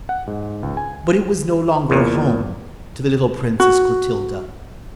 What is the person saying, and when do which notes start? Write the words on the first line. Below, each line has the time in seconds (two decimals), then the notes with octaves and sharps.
But it was no longer "home" to the little Princess Clotilda.
0.09 F#5
0.27 G#2
0.63 C#2
0.77 G#5
1.90 E2 A#2
3.60 F#4